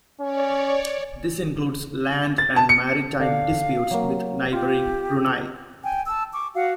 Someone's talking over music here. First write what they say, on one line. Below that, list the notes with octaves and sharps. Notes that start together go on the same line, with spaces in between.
This includes land and maritime disputes with neighbouring Brunei.
C#4 C#5 D5
A6
A5
C#7
D3 D4 F5
F#3 A#3
F4 G4
G5 G#5
A5 E6
C#6 D6
F#4 F5 F#5